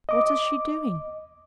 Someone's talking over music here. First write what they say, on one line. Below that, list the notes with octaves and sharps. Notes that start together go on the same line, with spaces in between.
"What is she doing?"
D#5 D6